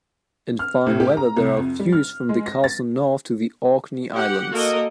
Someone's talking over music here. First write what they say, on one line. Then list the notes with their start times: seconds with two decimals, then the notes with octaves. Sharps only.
In fine weather there are views from the castle north to the Orkney Islands.
0.59 F6
0.87 A2
1.00 G4
1.17 A#5
1.37 C2
1.58 F2
1.79 G3
1.92 F6
2.29 G#3
2.46 A#6
2.64 A6
4.14 G4 F#5
4.51 A#3 F#4 A4 A#4 D#5